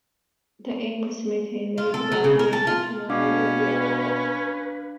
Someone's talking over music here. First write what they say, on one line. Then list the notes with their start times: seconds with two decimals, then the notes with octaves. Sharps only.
The aim was to maintain the usability and functionality of the object.
1.78 F4
1.94 A4
2.12 F#3
2.24 C#3
2.39 A#4
2.53 A5
2.67 F4
3.10 B2 C#4 D4 B4 F5 D6